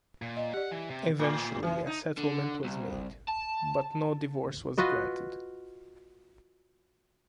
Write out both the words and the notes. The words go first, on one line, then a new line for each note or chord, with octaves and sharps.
Eventually a settlement was made, but no divorce was granted.
A#2
D#5
G4 D5 F#5
E3
C3
A2
E3
D#4
D3
C2
A5
F4 F#4 B4 D#5